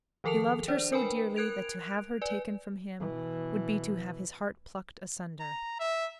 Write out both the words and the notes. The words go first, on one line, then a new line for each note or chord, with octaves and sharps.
He loved her so dearly, that to have her taken from him would be to have his heart plucked asunder.
D#3 F3 A4 A#4 A5 F7
D4 C5 D5
A#4 B4 G5 G#5 B5
A#4 F#6 G#6 D7 F7
B4 D5 G#5
B2 E3
A#5
E5